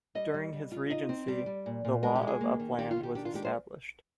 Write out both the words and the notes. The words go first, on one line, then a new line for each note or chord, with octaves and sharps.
During his regency, the law of Uppland was established.
G3 D#5
G3
G3
F4
D#4 D#5
C4
G3 D5
G3
A#2
A#2
G#3 A#4
G4
G#3
G#4
A#3
D#3
D#3 G4
F4
D#3
G4
D4 G4
F4
G#3 G4
C5